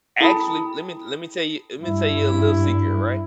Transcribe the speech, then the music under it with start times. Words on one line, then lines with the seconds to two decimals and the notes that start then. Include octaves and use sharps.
Actually, let me let me tell you let me tell you a little secret, right,
0.21 E4 A4 G5 A5 B5 D#6
1.83 G2 E4